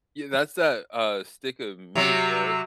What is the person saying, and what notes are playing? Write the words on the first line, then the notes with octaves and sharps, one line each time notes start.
Yeah, that's that, uh, stick of meat, right?
C3 F#3